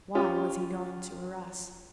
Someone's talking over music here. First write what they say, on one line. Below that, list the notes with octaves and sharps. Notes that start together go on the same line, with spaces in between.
Why was he going to Arras?
C#4 F4 G4